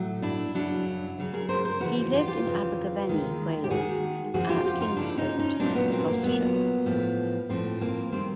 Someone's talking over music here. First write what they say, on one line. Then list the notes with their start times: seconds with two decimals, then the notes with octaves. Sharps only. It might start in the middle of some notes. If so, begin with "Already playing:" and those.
He lived in Abergavenny, Wales, and at Kingscote, Gloucestershire.
Already playing: A2 F#3 A3
0.22 D4 E4
0.55 F#2 C#3 F#3 D4 E4
1.18 F#2 C#3 F#3
1.33 G#4 A#4
1.49 A#4 C5
1.65 A#4 C5
1.80 F2 C#3 E3 E4 F#4
2.13 F4 G4
2.28 F4 G4
2.44 F2 C#3 E3
3.08 D#2 D#3 G#3
3.64 G4
3.71 D#2 D#3 G#3 F#4 G#4
4.34 F2 C#3 F3 A#3 F#4 G#4
4.49 F4 G4
4.65 F4 G4
4.80 D#4 F4
4.97 F2 C#3 F3 A#3 D4 E4
5.17 C#4 D#4
5.39 C#4 D#4
5.60 A#2 F#3 A#3 C4 D4
5.75 B3 C#4
5.92 A#3 C4
6.08 A#3
6.23 A#2 F#3 A#3 B3
6.86 A2 F3 A3
7.49 A2 F3 A3 A#3 C4
7.81 A#3 C4
8.12 D#3 G3 A#3 C4